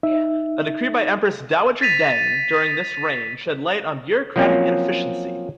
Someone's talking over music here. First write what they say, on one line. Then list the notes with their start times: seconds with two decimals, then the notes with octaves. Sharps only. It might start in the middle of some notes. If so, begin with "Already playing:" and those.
A decree by Empress Dowager Deng during this reign shed light on bureaucratic inefficiency.
0.03 D#4 E5
1.81 A6 B6 D#7 F7
4.36 F3 F#3 A#3 C4 C#4